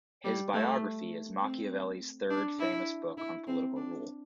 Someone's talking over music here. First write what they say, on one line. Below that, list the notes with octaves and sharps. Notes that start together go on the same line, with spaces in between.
His biography is Machiavelli's third famous book on political rule.
G3
A3
C4
D4
E4
E4
C4
D4